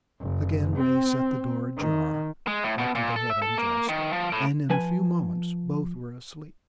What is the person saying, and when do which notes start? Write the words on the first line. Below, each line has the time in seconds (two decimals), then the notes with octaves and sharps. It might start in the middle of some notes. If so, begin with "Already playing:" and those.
Again Ray set the door ajar, after they had undressed, and in a few moments both were asleep.
0.20 F#1
0.77 C4
1.77 D#3
2.47 G#3
2.64 A2
2.78 B2
2.95 A#2
3.16 A4
3.30 E5
3.42 A4
3.58 A#3
3.89 D#3
4.13 F3
4.32 A2
4.70 F3 B4 G#5